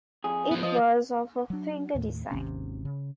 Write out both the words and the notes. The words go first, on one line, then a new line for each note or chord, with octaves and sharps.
It was of a "finger design".
F2 G#4
F3 B3
F3 D#5
F#3 D4
D#2 A2
G#1 D#2 C3 C#4
C#3